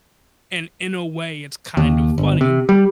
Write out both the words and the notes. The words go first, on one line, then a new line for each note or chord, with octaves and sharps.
and in a way, it's kind of funny.
D#2
G1
C3
G3